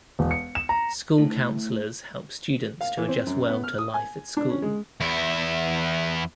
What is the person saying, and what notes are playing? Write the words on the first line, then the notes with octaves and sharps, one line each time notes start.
School counselors help students to adjust well to life at school.
E1
C#7
E7
A#5
A2
F5
E3
C4
F#2
B3
F6
D#6
G#5
D4
C#4
G#3
E2 E4